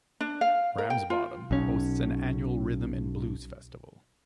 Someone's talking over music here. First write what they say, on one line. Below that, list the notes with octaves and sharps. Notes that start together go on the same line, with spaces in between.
Ramsbottom hosts an annual rhythm and blues festival.
D4
F5
A#4
G5
F4
B1 C#4